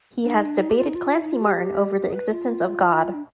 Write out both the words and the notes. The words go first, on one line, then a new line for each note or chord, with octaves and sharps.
He has debated Clancy Martin over the existence of God.
D4
D#4
D4
D#4
G4
F4
D#4
F4
D#4
F4
G4
G#4
B4
F4
D4